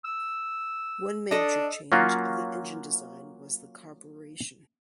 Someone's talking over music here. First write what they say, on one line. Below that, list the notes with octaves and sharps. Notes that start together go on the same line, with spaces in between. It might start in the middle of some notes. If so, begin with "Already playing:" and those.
One major change of the engine design was the carburetion.
E6
D4 A4 D#5
F#3 A#3 C#4 F4 F#4